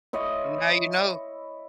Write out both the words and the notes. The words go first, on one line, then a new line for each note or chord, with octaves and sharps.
Now you know.
E4 C#5 D#5 C6